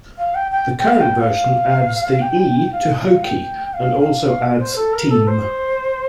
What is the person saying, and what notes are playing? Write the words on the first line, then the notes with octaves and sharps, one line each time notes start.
The current version adds the 'e' to Hokie and also adds Team!
F5
G5
G5
G5
F5
G5
F5
G5
F5
F5
G5
F5
F5
F5
C5
A4
A#4
A4
C5